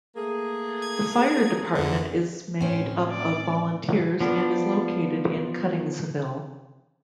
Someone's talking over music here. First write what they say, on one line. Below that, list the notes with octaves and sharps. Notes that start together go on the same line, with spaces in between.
The fire department is made up of volunteers and is located in Cuttingsville.
A3 A#3 G#4
G#6
F2 D3
A2 C4 C#4 D#4
D5
F3 B3 D4